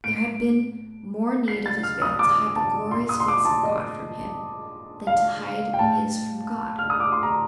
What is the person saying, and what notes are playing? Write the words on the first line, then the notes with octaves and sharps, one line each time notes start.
There had been more need of his veil to hide the glorious face of God from him than to hide his from God.
A2 D7
C7
A6
F6
D#6
D6
A5
A#2 C6
D#6
C6
D6
A5
D#5
F5
G5
A2 A5
F6
D#6
D6
C6
A#5